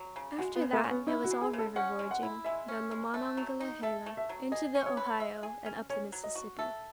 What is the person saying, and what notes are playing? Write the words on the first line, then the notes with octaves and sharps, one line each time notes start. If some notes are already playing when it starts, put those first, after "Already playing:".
After that it was all river-voyaging, down the Monongahela into the Ohio, and up the Mississippi.
Already playing: F#3
C#3
G#3 F#4
B3
C#3
A3
C#4
B3
D#4 E4
F#4
G#3
G#4
C#3
A4
C#4 F#5
G#3
F#5
E4
G#3 E5
C#4
G#3
A3
F#3
D#4
A4 E5
A3
E5
F#3
G#4 D#5
C#4
C#5
B4
E5
G#4
C#4
C#4 C#5
F#3
D#5
F#4
A4 E5